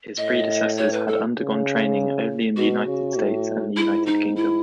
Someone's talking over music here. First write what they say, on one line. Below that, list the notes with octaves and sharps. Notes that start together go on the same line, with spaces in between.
His predecessors had undergone training only in the United States and the United Kingdom.
A2 D#5
C#5
B4
A4
C#3
B2 F#4
C#3
A2
G#2 E4
D#4
E4